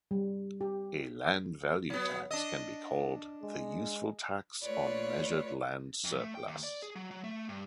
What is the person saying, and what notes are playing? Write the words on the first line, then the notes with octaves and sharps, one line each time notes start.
A land value tax can be called 'the useful tax on measured land surplus'.
G3
G4
F#3 B3
D4 D#5
G#3
A3 F4 B4 C#5 D5
F2
A3
G5
D#2
D5
G#4
F#3
F#3
A3
G2